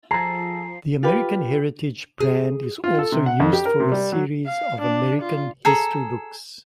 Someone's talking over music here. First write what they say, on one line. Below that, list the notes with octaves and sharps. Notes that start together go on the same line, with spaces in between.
The "American Heritage" brand is also used for a series of American history books.
F3 G#4 A4 A#5 C7
F4 G4 B4
G#4
F4
A4
C3
F#5
F2
G4
A#4
C3
G3
F#3
F5
D4
F4
G#4 A4 A#5